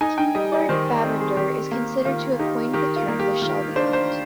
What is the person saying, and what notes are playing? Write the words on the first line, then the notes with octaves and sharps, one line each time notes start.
Kingford Bavender is considered to have coined the term the "Shelby" knot.
D#4 G#5
G5
G3 D#5
D5
D#3 C5
C4
G#4
D#3 G4
A#3
D#3 F4
D#4 G4
D#3 G4
F4
A#3
G4
D#3 F4
D4 C5
C5